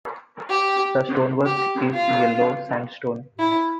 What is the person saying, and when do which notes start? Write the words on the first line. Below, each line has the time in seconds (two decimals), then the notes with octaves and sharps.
The stone work is yellow sandstone.
0.50 G4
1.45 G4
1.94 F4
3.39 E4